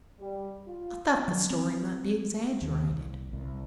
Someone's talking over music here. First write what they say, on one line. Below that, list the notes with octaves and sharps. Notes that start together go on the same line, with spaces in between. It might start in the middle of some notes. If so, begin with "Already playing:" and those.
I thought the story might be exaggerated.
G3
F4
F#3
C4
D#2
C2
C2